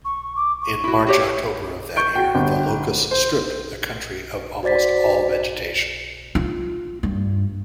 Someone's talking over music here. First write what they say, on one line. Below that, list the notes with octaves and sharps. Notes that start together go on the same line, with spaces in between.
In March-October of that year, the locusts stripped the country of almost all vegetation.
C#6
D6
C#6
E4 F#4
F#4 G4 C#5
C#6 G6 D7
F#4 G5
G1 G5
C5
F#4 C5 D5 A6 B6
F4
G2